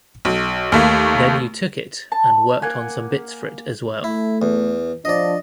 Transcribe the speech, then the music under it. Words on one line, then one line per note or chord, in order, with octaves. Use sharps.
Then you took it and worked on some bits for it as well.
B1
D#2 A3 A#3
A5
A#3 F#5 G#5
A3 E4
E2
F3 D4 D5 D#5